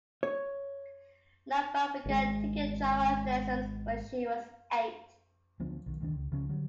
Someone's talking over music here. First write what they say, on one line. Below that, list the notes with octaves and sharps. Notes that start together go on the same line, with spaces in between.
Lombard began taking drama lessons when she was eight.
C#5
G#1 G#3
D2 F3 B3 D4
B1 D#3
D2 D#3 D4
C#2
C#2 C#3 F3 C#4
D3 F#3 G3